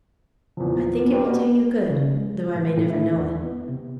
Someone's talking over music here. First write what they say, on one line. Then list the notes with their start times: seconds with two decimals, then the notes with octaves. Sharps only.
I think it will do you good, though I may never know it.
0.57 E2 A#2 F3
1.11 G2
1.24 B2
1.90 C#3
2.13 G#3
2.55 A2
2.78 A2
2.90 E4
3.15 E2
3.44 B3
3.69 C3